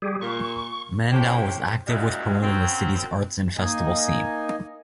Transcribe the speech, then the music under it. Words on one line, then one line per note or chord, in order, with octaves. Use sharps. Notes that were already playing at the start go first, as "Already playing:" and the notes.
Mandel was active with promoting the city's arts and festival scene.
G3 G4 G#4
A#2 C#6
A2 C3 C4 C#4 G4
F#2 A#2 G3 G#3 E4
F#2 C4
A#3 D#4 D#5 G#5